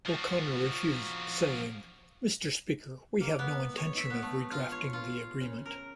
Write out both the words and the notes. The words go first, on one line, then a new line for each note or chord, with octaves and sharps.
O'Connor refused saying Mr. Speaker, we have no intention of redrafting the agreement.
F3 F#4
A#3
B3
C#5
E5
B3
A3
F4
C#5
F4
C#3
A#4